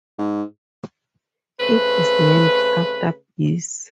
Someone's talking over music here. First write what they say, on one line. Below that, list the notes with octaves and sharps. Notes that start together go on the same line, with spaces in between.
It is named after bees.
G#2
C#3 A3 C4 B4